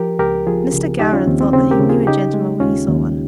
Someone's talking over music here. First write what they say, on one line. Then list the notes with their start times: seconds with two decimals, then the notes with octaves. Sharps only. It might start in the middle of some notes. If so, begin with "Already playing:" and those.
Mr. Gowran thought that he knew a gentleman when he saw one.
Already playing: F3 G4 A#4
0.19 C#2 G4 A#4
0.47 F3 F4 G#4
0.73 C#3
0.99 D#2 D#4 G4
1.13 C#4 F4
1.27 D#2 C4
1.41 C4
1.53 C#3 C4
1.71 G4 A#4
1.80 C#3
1.89 F4 G#4
2.07 C#3 D#4 G4
2.34 G#3
2.60 D#2 C#4 F4
2.88 D#2